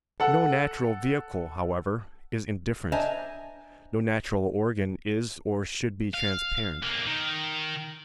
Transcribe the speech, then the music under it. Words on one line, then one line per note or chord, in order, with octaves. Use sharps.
No natural vehicle, however, is indifferent; no natural organ is or should be transparent.
A4 F#5
D4 C5 D#5 E5 G#5 A#5
F5
B1 A#3
D#3